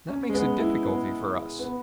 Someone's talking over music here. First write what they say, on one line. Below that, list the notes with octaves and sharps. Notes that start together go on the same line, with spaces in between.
That makes a difficulty for us.
C#4
G#3
B3
E4
B3
B3